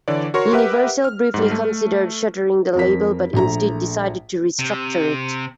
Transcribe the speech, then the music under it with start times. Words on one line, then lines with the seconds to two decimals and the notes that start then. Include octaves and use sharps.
Universal briefly considered shuttering the label, but instead decided to restructure it.
0.08 D3 E3 C#5 D5
0.34 F#4 A#4 C#5 C6 C#6
0.53 G4 A#4 B4 E5 F#5
1.04 F6
1.34 G#2 G3
1.51 A3
2.75 F2 A#4 B6
3.33 A#1 A3 A#5
4.59 C3